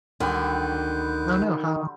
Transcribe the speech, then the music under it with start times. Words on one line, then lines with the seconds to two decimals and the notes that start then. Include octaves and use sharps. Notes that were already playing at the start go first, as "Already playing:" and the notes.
I don't know how
0.20 D2 D3 D#3 F#3 G3 F#6 G6